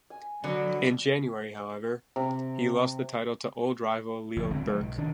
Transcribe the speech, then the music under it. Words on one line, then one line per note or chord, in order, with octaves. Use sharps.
In January, however, he lost the title to old rival Leo Burke.
G#5
D3 F#3 B3
C3
C#2 F3
D#1 D3 C4
G#2 C#3 F3 F#3
B1
D#3 D4